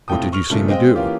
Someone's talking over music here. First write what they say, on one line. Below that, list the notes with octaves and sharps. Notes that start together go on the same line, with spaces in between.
"What did you see me do?"
A2 C3 F4 G5 A5 D#6
C#6 F6 F7
A#2 C#3 A3 D4
G#3 C4 C5 D#5 F5 G5
E3 A#3 C#4 F4 G4